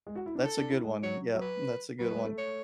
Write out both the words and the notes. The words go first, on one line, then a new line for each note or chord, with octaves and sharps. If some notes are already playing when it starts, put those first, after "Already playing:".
that's a good one, yup, that's a good one.
G#3
F#4
E4
D4
A4
D4
E4
G#3
F#3 C#5
F#3
B4
F#3 B4
G#3
A3
C#5